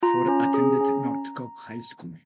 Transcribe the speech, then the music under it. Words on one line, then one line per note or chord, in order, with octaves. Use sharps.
Ford attended North Cobb High School.
F4 A#5
C#4
G#4
C#4